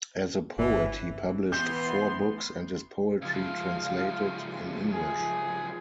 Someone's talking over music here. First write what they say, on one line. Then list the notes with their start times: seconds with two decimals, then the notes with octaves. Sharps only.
As a poet he published four books and his poetry translated in English.
0.58 G1 E3
1.52 E3 B3 C6 G6
3.22 C#2 F3 F5
4.93 G#4